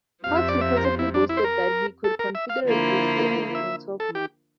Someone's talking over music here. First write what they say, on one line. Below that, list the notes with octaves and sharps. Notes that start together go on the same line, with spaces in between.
Parkes reportedly boasted that he "could confederate these colonies in twelve months".
F2 C3 F3 F5
E5
D5
E5
A#4
C5
E4
D4
E4
C5
A#4
A4
A#4
E5
F5
D3 F3 A#3 E4
E5
A4
G4